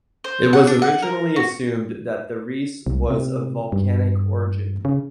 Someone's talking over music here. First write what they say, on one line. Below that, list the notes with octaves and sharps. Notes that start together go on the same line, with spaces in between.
It was originally assumed that the Ries was of volcanic origin.
C5
F#5
D4
F#5
A#4
F#4
C2
C3
G2
C#3